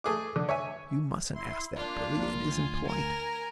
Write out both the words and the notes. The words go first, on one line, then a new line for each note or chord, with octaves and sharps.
"You mustn't ask that, Billie; it isn't polite!"
A3 G#4 D6
D3
C#5 E5 G#5
E4 C6
A#3 D4 F4
A#1 A#2
D2 G#5
A#4